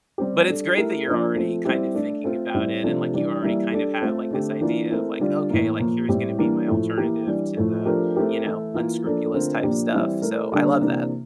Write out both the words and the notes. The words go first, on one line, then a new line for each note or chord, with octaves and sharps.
But it's great that you're already kind of thinking about it and, like, you already kind of have, like, this idea of, like, "Okay, like, here's gonna be my alternative to the, you know, unscrupulous type stuff." So, I love that.
G3 C4 G4
G3 D4 A4
A3 E4 G4 A#4
F3 A#3 D4 F4
F3 A3 C4
G3 C4 E4 G4
A3 D4 A4
A3 C4 F4 A4
A2 G3 C4 E4
C3 F3 A3 D4 F4
E3 G3 D4
E3 G3 A#3 E4
G3 D4 A4
A3 C4 F4 A4
D3 A3 C4 G4
E3 A#3 D4 F4
A3 C4 E4 A#4
D3 G3 D4 F4
A2 E3 A#3
A#2 F3 A#3
A2 G3 C4 E4 G4
E3 G3 A#3 D4
A2 F3 A3 E4
E3 A#3 E4 G4
E3 G3 D4
A2 F3 A3
F3 A3 D4 G4 A#4
A3 C4 E4 G4 A#4
E3 A3 E4 A4
E3 A#3 F4
F3 A#3 D4 A4
D3 A3 C4 F4 A#4
A#2 F3 A#3 D4 G4
E3 G3 C4 E4
A3 E4 A#4
D3 G3 A#3 D4
C3 E3 A#3 D4